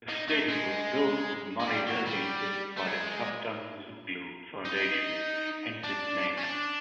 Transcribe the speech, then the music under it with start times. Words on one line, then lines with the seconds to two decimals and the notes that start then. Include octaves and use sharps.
The stadium was built with money donated by the Kaftanzoglou Foundation, hence its name.
0.09 D#4
0.28 A3
0.48 G#3
1.60 G#3
1.68 G3
1.88 F#3
2.07 G3
2.77 A3
2.87 G#3
4.65 D#4
5.84 D4
6.38 C#4
6.43 D4